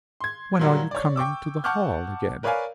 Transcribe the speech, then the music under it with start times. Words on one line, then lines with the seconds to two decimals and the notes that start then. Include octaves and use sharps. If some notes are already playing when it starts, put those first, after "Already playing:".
'When are you coming to the hall again?'
0.21 C6 G#6
0.59 A#2 F#3 G3
0.91 C#5 D5
1.16 G5 C#6 D6 E6
1.64 F#5 A5 C#6 D6 F6 G6
2.43 A#4 B4 C#5 D5 F5 G#5